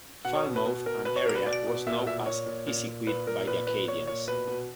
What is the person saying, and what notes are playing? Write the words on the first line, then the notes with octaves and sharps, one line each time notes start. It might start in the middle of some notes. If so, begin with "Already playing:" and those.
Falmouth and area was known as Pisiquid by the Acadians.
B2 F#5
C#5
B2
B4
B2
B2 A#4
B2 B4
C#5
B2 A#4
B4
B2 D5
B2
A#2 E5
A#2 E5
A#2 C#5
A#2
A#2
A#2
A#2 B4
A#2 A#4
A#2 B4
A#2 B4
A#2 C#5
A#2 C#5
B2 B4
B2